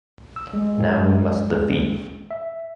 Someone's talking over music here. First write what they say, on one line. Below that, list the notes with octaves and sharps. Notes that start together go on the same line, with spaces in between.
Now we must defeat.
E6
G#3
E5